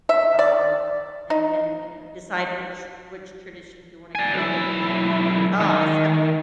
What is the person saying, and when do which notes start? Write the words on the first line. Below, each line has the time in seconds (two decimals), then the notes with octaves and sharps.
um, and and, you know, decide which which traditions you wanna keep and which ones you wanna toss. Have you
0.09 E5
0.39 D5
1.30 D#4
4.15 D5 G#5
4.34 B1 E4
5.60 D#3